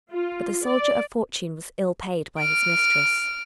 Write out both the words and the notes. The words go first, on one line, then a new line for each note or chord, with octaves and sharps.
But the soldier of fortune was ill-paid by his mistress.
F4
D5
F6 D7